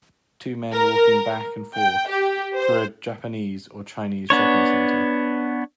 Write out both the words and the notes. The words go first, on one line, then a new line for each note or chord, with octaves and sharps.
Two men walking back and forth through a japanese or chinese shopping center.
A#4
G5
G4
C5
B3 D4 C#5